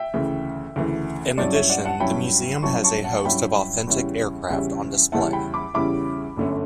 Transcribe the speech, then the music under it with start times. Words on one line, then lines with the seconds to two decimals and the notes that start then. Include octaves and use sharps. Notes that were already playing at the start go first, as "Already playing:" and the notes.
In addition the museum has a host of authentic aircraft on display.
Already playing: E5 G5
0.14 D2 C#3 E3
0.76 D2 C#3 E3
1.38 G2 F#3 C#4 E4 D5
1.54 C#5 E5
1.69 D5 F#5
1.85 F#5 A5
2.00 G2 F#3 C#4 E4 G5 B5
2.62 G2 F#3 C#4 E4 A5 C#6
2.84 A5 C#6
3.04 F#5 A5
3.25 G2 F#3 C#4 E4 G5 B5
3.87 E2 C#3 G3 C#4 E4
4.50 E2 C#3 G3 C#4 E4
5.12 E2 C#3 G3 C#4 E4 F#5 A5
5.33 G5 B5
5.54 B5 D6
5.74 E2 C#3 G3 C#4 E4 B5 D6
6.36 G1 F#2 D3 A3 C#4